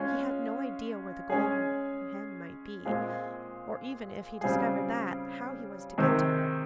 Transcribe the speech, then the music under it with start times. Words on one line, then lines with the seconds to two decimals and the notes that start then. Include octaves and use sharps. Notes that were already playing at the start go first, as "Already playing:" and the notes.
He had no idea where the golden hen might be, or even, if he discovered that, how he was to get to her.
Already playing: G#3 C#4 F4
1.30 G#3 C#4 G#4
2.85 A#2 G#3 C4 F4 G#4
4.41 C#3 G3 C4 F4 G#4
5.98 C3 D#3 G#3 C4